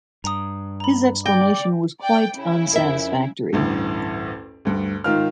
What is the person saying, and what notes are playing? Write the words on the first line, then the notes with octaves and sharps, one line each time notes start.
His explanation was quite unsatisfactory.
G2 A#5 D#6
A#5 B5
D5 G5 A#6
D5 G5
C#3 E4
F2 A#4 E5
A1 D2 G2
D2 G2
G#2 D#3 F4 F6